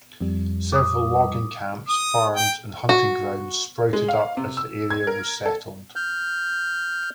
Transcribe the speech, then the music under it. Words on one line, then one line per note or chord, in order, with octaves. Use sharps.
Several logging camps, farms, and hunting grounds sprouted up as the area was settled.
F2 G3
D6 D#6
D#6
G5
F#4
G#3
F5
C3
E6
G#6
A#4
A4
F6 G6